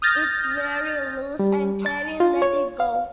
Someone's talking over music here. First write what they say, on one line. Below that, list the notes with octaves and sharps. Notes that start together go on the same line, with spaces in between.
It's very loose, and Kevin let it go...
D#6 F6 G6 A6 A#6
G3
A6
F4
C#5
F5